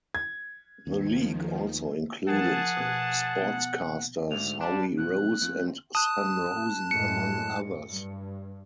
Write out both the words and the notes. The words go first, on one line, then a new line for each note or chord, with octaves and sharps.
The league also included sportscasters Howie Rose and Sam Rosen, among others.
G#6
D#2 D#3 F3
F3 G#4 A#4 F#5 A5
B2 F#6 G#6
B3
D2 G#2 F7
G3 D4 A5
B1 F2 F#6
F2
A5 D#6 F#6
F#2 A2 G#3 C#7
G2